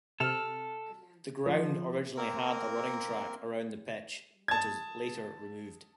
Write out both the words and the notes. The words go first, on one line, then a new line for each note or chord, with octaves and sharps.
The ground originally had a running track around the pitch, which was later removed.
C3 A4 F6
F3
A#3 C4 A#4
A5 G#6